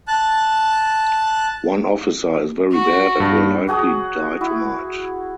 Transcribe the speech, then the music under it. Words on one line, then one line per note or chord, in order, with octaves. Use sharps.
One officer is very bad and will likely die tonight.
A5 F#6
F#4
G2
F#3 F#4 G#4 D#6
E4 F#4